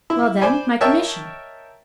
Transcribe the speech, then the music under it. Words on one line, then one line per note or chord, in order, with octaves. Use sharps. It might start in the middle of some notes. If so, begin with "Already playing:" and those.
"Well, then,--my commission?"
E4
C5 D5 G#5 B5
A#4 C#5 D#5 E5 G5 A5